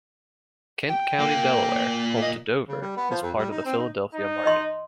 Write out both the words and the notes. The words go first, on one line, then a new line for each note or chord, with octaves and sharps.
Kent County, Delaware, home to Dover, is part of the Philadelphia market.
G5
A#2 A#3
D#5
C#3
G3
B3
F3
F2
G3
D#4
C4
D#4
D#4
D#5 C6